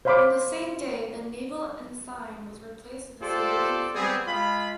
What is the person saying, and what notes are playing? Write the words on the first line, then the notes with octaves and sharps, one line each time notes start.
On the same day, the naval ensign was replaced with the civilian flag.
C5 C#5 F5 B5 C6 D6
F4 G4 A4 C5 D5
G3 B3 C4 G#4
G#3 F4 B5